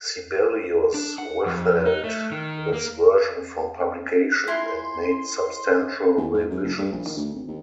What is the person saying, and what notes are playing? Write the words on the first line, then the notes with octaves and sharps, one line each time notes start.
Sibelius withheld this version from publication and made substantial revisions.
D4
F#5
F2
D#4
A3
D#3
A#3
E4 F4 G#5 C6
D#2
G#2
F#2
F#1
G2
A#1
D#3
D2
G#1
D#2